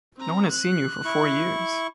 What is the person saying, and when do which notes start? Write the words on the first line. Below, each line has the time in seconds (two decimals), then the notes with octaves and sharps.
No one has seen you for four years.
0.17 C4 A#5
0.51 F#6
1.05 E4 C#6